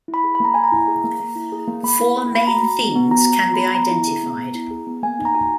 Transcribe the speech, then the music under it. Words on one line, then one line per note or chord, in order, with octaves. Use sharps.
Four main themes can be identified.
E4
B5
G#4
B5
A#3 A#5
A#3 G#5
A#5
E4
G#4
A#3
A#3
E4
G#4
A#3
A#3 B5
E4
G#4
A#3 B5
F#4 A#5
F#4
B3
B3
F#4 A#5
F#4
A#5
B3
B5
B3
B3 A#5
E4
G#4
B3
B3
E4
G#4
B3
A#3 G#5
D#4
A#5
F#4 G#5